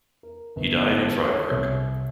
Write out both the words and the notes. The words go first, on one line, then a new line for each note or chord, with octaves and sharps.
He died in Freiburg.
A#4
G1
A5
C#5
C2